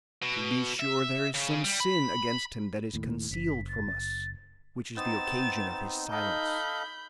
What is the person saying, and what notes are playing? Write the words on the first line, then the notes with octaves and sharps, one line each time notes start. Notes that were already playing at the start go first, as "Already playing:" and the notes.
To be sure there is some sin against him that is concealed from us, which is the occasion of his silence.
B2
E5
C#3
G3
B5
D#2 A2
F#1 B6
A6
B3 C4 D#4 A6 E7
A4 D#5 F5 B5 G6